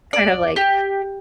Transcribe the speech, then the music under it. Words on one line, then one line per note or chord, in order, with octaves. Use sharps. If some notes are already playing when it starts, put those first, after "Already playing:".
Kind of like,
D5
G4